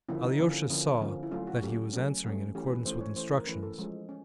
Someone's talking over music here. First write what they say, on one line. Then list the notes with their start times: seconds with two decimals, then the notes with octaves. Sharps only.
Alyosha saw that he was answering in accordance with instructions.
0.09 D3 F3 A#3 C#4 E4
0.24 D#4
0.39 D3 F3 A#3 C#4 E4
0.70 D3 F3 A#3 C#4
1.01 D3 F3 A#3 C#4
1.23 E4
1.31 F#3 A3 C#4 F4
1.47 F#4
1.62 F#3 A3 C#4 G4
1.93 F#3 A3 C#4
2.24 F#3 A3 C#4
2.55 E3 A3 C#4 G4
2.70 B4
2.85 E3 A3 C#4 C5
3.01 C#5
3.16 E3 A3 C#4 C5
3.38 A#4
3.47 E3 A3 C#4 B4
3.63 A4
3.78 F3 G#3 C#4
4.09 C#4